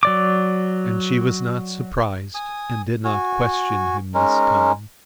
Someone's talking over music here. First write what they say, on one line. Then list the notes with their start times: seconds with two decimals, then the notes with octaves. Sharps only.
And she was not surprised and did not question him this time.
0.03 F#3 D5 D6
2.35 G#5 D#6
3.05 F#4 G#5
4.14 G#3 C#4 D#4 A#4